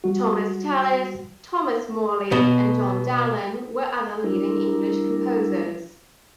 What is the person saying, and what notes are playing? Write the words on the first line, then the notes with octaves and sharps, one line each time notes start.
Thomas Tallis, Thomas Morley, and John Dowland were other leading English composers.
G3 F#4
B2
G3 D4 E4 A#4